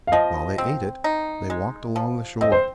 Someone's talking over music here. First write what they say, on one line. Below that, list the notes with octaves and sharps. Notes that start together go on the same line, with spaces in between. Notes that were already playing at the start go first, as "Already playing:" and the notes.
While they ate it, they walked along the shore.
F5
F3 D#5
C4
D#4
G#3
F3
C4 D#5
C5